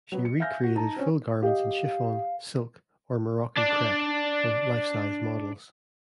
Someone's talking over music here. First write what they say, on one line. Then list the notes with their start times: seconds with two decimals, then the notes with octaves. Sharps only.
She recreated full garments in chiffon, silk, or Moroccan crepe on life-size models.
0.12 F#3 B3
0.25 C#7
0.40 E5 F5 G#5 F6 G6 A#6
0.63 F#4
0.75 D#4 A5 A#5
0.96 C4 C#4
1.42 G4 D#5 F5
3.57 D4 D5